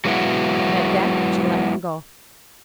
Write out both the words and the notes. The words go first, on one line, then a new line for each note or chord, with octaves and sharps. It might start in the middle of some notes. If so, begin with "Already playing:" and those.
And at that she let him go.
F#3 G#3 B3 E4 F#4